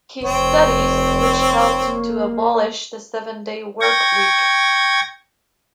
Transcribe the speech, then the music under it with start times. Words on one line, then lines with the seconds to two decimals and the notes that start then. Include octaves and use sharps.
His studies which helped to abolish the seven-day work week.
0.24 F1 C4 C#5
1.84 A#3
3.81 G5 C#6 G#6 A#6